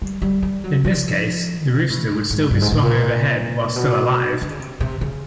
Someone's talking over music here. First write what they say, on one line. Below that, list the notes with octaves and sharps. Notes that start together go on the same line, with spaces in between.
In this case, the rooster would be swung overhead while still alive.
G3
G3
G3
F#3
F3
B2
A2
G#2
G#2
G2
G#2
A2
A#2
B2
D3
C#3
C3
C3
C#3